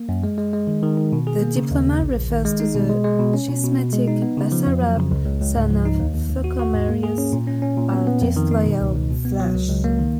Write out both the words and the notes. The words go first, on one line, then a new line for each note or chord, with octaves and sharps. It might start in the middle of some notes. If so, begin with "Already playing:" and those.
The diploma refers to the schismatic Basarab, son of Thocomerius, our disloyal Vlach.
Already playing: A#3
F#2
G#3
G#3
G#3
D#3
D#3
D#3
B2
G#4
A#3
C#3
D#2
C#3
A#1
A#1
D#3
G#3
D#4
B2
G#3
G#3
B2
C#4
B2
B2
B2
G#3
D#4
B3
C#3
F3
F2
F#3
C#3
C#2
C#2
C#2
G#2
F3
D#4
D#2
D#2
D#2
F#4
F#4
G#2
A#3
G#4
C#4
A#2
C#4
C#4
A#2
B3
B3
F2
D#3
D#4
B2
C#2
C#2
B2
B3
F#3
C#2
C#2
A#3
D#3